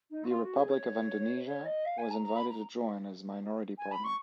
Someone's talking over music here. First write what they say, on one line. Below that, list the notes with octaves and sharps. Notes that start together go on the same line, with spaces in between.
The Republic of Indonesia was invited to join as minority partner.
D#4
F#4
F4
F#4
G#4
C#5
C#5
D#5
F5
G#5
A#5
A#5
B5
A#5
G#5
B5
C#6